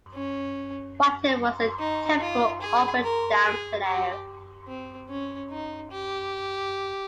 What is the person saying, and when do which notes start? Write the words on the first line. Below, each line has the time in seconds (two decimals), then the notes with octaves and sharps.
Whiten was a typical up-and-down player.
0.15 C#4
1.79 D#4
2.21 F4
2.62 G#4
3.03 A#4
3.44 G#4
3.85 G4
4.68 C4
5.09 C#4
5.51 D#4
5.91 G4